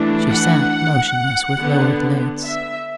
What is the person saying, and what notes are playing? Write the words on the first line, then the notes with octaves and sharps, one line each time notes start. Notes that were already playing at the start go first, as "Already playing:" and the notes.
She sat motionless, with lowered lids.
Already playing: E3 A3 D4
F#5
D3 B3 D4
E5